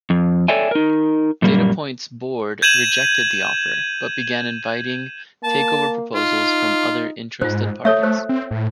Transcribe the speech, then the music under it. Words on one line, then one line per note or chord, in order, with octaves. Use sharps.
Datapoint's board rejected the offer but began inviting takeover proposals from other interested parties.
F2
A4 C#5 D5 E5 G5 G#5
D#4 A#4
F#2 A#2 G3 A#3
G6 G#6 D#7 E7 F#7
A#3 A5
D#4 F4
G#2 F4 C5
A3 A4 C#5 E5
C5
C4
A2